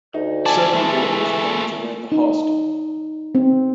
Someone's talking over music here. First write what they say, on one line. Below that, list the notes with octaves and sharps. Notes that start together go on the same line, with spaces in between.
Seven girls came to rent the hostel.
D2 D#4
E4 D5 G#5 A5
E3 G#3 A3 E5
D#4
C4